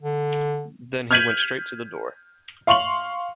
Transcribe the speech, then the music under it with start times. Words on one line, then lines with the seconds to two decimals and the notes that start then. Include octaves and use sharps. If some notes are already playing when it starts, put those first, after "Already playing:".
Then he went straight to the door.
0.02 D3
1.11 F6 G6 G#6 B6 D#7 F#7
2.67 F5 C6 C#6 F7 F#7